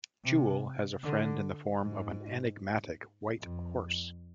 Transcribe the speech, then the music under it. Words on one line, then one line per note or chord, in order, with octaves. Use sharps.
Jewel has a friend in the form of an enigmatic white horse.
C3
D3
G#2
F2